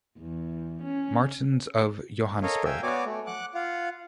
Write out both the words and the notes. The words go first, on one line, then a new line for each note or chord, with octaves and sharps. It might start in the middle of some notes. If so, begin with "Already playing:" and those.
Martins of Johannesburg.
E2
C#4
A4 A#4 C#5 D#5 F5
E5 F5 G5 G#5 E6
B3 F#4 C#5 D5 G#5 D6
A3
F#5 D6 F#6
F4 F5 F#5